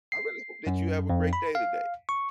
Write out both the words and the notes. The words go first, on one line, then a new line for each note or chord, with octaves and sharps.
I really hope that you have a great day today.
C7
F#2
F2
B5
F5
C#6